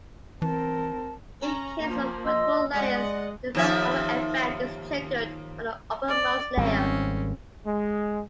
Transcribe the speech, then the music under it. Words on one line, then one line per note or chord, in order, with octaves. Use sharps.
In case of multiple layers the mouseover event is triggered by the uppermost layer.
E3 C4 A#4 A5
C#4 A#5
F3 A#3
D#5 C6 E6
G#3 D5 D#5 F#5
D#2 F3 E5
D5
G#1 G3 C4 C#4
G#3